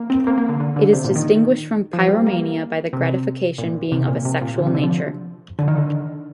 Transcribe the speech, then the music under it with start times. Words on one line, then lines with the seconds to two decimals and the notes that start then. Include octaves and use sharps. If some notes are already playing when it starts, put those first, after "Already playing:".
It is distinguished from pyromania by the gratification being of a sexual nature.
Already playing: A#3
0.10 C4
0.27 A#3
0.38 A#3
0.49 D3
0.60 D3
0.76 D3
0.93 C3
1.04 A#2
1.15 D#3
1.93 F3
2.09 G3
2.27 A#3
2.93 C3
3.58 A#2
3.92 C3
4.08 A#2
4.25 C3
4.41 A#2
4.59 D3
4.67 C3
4.75 D3
4.84 F3
5.59 D3
5.68 D#3
5.78 D3